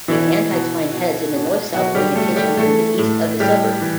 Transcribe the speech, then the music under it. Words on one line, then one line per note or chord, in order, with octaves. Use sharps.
An anticline heads in a north-south orientation through the east of the suburb.
B2 E3 E4
B2
B2
B2
B2 F#3 F#4
G3 G4
B2 A3 A4
G3 G4
E3 A3 A4
A2
A2 G3 G4
E3